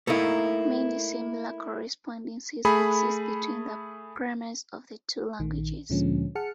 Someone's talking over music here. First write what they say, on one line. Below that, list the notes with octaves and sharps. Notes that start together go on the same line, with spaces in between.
Many similar correspondences exist between the grammars of the two languages.
A3 A#3 D#4 E4
A3 G#4 B5
A#1 D#3
D2 A#2 D3 F3 G#3 C#4
G#4 F#5 A5 F6 C#7